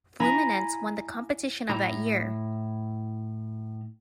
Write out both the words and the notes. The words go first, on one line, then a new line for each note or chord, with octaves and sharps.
Fluminense won the competition of that year.
E4 G#5 A#5
A2 E4 A#5